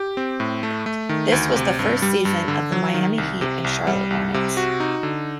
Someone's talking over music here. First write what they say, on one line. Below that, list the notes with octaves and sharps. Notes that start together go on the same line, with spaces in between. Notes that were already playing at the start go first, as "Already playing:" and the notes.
This was the first season of the Miami Heat and Charlotte Hornets.
Already playing: G4
C4
A2
A3
A3
D#3
D2
C3
G2
G3
G2
D3
F#3
D#3
C2
C3
C2
G3
C2
C3
F#4
D#4
D3